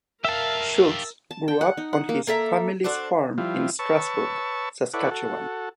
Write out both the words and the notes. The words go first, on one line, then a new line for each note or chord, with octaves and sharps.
Schultz grew up on his family's farm in Strasbourg, Saskatchewan.
G4 A#4 E5 F5 A5
A5
G5
F#5
D#4
F#5
A#3
A#3 A4 E5 A#5
D4 F#4 A4 C5
F3 G3 E4 F4
B4 C#5 A5 C#6 E6
E4 A4 B4 C#5 D5 F#5
F#4 A4